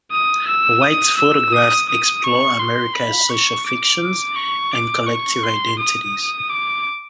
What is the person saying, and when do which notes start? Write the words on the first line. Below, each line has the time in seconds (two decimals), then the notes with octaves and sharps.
White's photographs explore America's social fictions and collective identities.
0.11 D#6
0.47 E6
0.82 D#6
1.17 E6
1.53 D#6
1.89 D#6
2.24 C#6
2.60 C6
2.95 B5
3.30 C#6
3.66 D6
4.36 C#6
4.72 D6
5.07 C#6
5.43 C6
5.79 D#6
6.49 D6